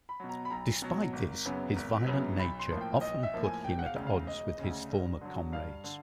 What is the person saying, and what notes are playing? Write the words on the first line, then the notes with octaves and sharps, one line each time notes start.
Despite this, his violent nature often put him at odds with his former comrades.
B5
B2 F#3
A#5
B5
B1 A#5
B2 F#3
G#1
F#2 C#3 F#3 B3
G#1
F#2 C#3 F#3 B3
B1 B5
C6
A2 F3 A#3
G5
B1 D#5
E5
A2 F3 A#3
G#5
E1 G5
F#5
F5
D2 C#3
F5
E1 D#5
D2 C#3
G2
D3 F#3
G2 F5
D3